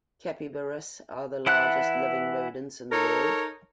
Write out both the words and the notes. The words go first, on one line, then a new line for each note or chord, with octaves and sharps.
Capybaras are the largest living rodents in the world.
E3 E4 F#5 A5 F#6
D#4 A4 A#4 C#5